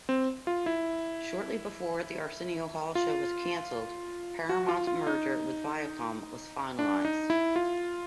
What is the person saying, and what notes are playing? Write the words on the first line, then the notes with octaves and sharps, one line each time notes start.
Shortly before "The Arsenio Hall Show" was canceled, Paramount's merger with Viacom was finalized.
C4
F4
E4
F4
F#4
F4
F4
D#4
D4
D#4
E4
F4